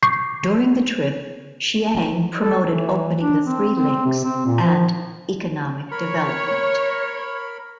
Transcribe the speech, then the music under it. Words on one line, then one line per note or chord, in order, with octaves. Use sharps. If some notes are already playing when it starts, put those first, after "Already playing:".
During the trip, Chiang promoted opening the three links and economic development.
C#6 D6 G6 C7
A4
E3
D4
C4
C4
C3
C4
A#2
F3
A#4 C#5 B5